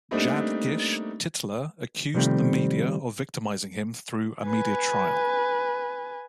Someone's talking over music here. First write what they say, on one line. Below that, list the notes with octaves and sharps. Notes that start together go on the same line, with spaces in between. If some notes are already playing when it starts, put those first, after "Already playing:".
Jadgish Tytler accused the media of victimizing him through a media trial.
G3 A3 A#3 C4 D4 D#4
C3 D#3 F3 G3 A3 C4
B4 G#5